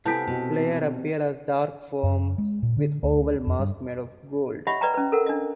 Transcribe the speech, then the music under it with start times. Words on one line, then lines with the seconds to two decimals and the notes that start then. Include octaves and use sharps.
Players appear as dark forms with oval masks made of gold.
0.05 C3 B3 E4 A4 G#5 A5 G6 B6
0.27 B2
2.03 F#2
2.38 G#3
2.63 A#2
2.77 D3
3.03 D2
3.47 F2
3.59 G2
4.67 G4 C#5 D#5 E5 F#5 B5
4.81 B4 D5 D#5 G5 A#5
4.94 C#4 B4
5.12 A4 A#4 F#5
5.26 D4 D#5